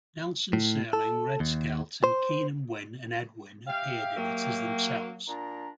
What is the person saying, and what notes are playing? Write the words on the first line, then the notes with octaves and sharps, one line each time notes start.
Nelson, Serling, Red Skelton, Keenan Wynn and Ed Wynn appeared in it as themselves.
A2
A4
D#2
C5
G4 E5 F5 G5
F#3 A#3
A#2 D4 A#5